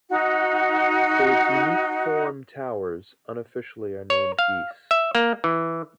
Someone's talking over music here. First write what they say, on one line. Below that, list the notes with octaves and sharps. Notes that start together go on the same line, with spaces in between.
For its unique form towers unofficially are named "geese".
D#4 F#4
C#5
F5
E5
A#3
E3